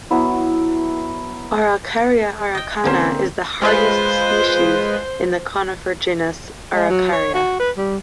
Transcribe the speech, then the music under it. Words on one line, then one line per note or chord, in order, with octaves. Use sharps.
"Araucaria araucana" is the hardiest species in the conifer genus "Araucaria".
F#3 B3 E4
D#5 G5
D3 A#3 C4 C#4 C5
G#3 F4 B4 C5
G#3
F#3
C#5
F#4
B4
G3